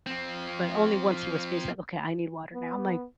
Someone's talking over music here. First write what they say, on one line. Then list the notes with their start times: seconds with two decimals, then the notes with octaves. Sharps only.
but only once he was finished, "Okay, I need water now." I'm like,
0.06 F3 C4
2.54 B3